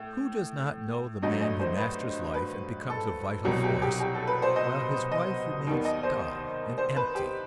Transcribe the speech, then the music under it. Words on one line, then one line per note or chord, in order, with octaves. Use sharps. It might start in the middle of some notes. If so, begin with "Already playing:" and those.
Who does not know the man who masters life and becomes a vital force, while his wife remains dull and empty?
Already playing: A2
G1 G2 F#3 A3 D#5
D#5
C5
B4
B4
A4
C2 B2 F#3 B3 G4
G4
G4
G4
A4
B4
C5
D#5
D#5
D#2 D#3 G3 B3
D#5
C5
C5
B4
G4